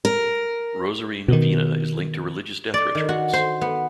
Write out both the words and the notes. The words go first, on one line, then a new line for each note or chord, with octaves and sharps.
Rosary Novena is linked to religious death rituals.
A#4
B2 D#3
D5
D#3
F#4
C5
B3